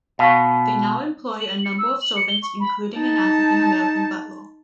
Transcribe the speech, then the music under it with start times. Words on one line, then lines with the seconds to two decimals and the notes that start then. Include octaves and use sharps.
They now employ a number of servants, including an African American butler.
0.19 B2 F5 C#6
1.40 F#7
1.64 C#7
1.78 E6
2.01 F#7
2.16 C#7
2.28 G7
2.43 C#6
2.60 B5
2.99 D#4 A5